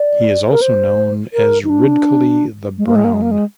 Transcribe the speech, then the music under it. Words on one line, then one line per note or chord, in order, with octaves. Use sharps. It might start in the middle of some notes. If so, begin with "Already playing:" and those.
He is also known as Ridcully the Brown.
Already playing: D5
A#4
C5
A#4
D#4
D4
G#3
A#3
G#3
A#3
G#3
A#3
G#3